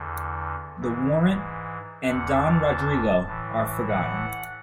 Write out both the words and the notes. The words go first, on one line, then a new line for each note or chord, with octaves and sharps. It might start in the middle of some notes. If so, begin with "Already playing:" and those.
The warrant, and Don Rodrigo, are forgotten.
Already playing: E2 D3
G#2 E3
E2 D3 F#5
A5
A2 E3
F#5